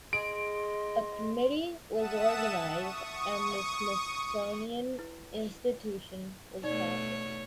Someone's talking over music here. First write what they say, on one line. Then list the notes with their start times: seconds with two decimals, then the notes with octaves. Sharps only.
A committee was organised and the Smithsonian Institution was founded.
0.13 G#4 D#5 C6 D7
1.92 E5 F#5 A5 D#6 E7
2.74 C#6 D#6
4.99 E4 B4
6.63 B2 A3 D#4 C#5 D5